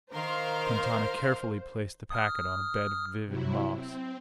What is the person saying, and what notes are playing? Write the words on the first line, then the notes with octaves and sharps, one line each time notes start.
Quintana carefully placed the packet on a bed of vivid moss.
D#3 A#4 C5 F5 C6
D#6 F6
C3 F#3 E4
C4